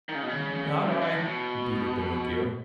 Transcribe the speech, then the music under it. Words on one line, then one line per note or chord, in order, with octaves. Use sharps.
"Not I," repeated Pinocchio.
D#3
C#3
B2
C#3
F#2
G#2
A2
B2